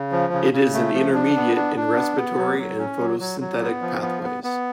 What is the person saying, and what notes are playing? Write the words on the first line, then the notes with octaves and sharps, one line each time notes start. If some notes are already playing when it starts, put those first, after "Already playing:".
It is an intermediate in respiratory and photosynthetic pathways.
Already playing: C#3
F3
C#3
C#3
A3
F3
D4
B3
D4
D4
B3
B3
F#3
F#3
C#4
F#3
F#3
F#3
B3
F3
B3
B3
B3